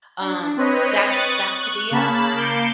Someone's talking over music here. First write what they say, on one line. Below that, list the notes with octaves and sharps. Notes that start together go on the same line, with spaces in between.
um, Zack Zack Padilla
D4
C4 B4 C#5 D#5
C#6 D#6 F#6 A6
C#6 F#6
C#3 A#3 A5 B5 E7
A#3 D6 G6 C7 C#7